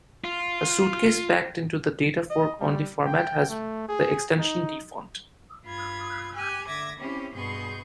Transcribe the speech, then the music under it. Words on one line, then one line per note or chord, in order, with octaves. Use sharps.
A suitcase packed into the data-fork-only format has the extension "dfont".
F4
D#5
G3
G5
A3
G#4
D#4
G2 F4 B5 G#6
G4 G#5 F#6
D3 E5 D6 G#6 A#6
C4 C#4 E4 G4
G2 B2 G#4 C6 C#6 G6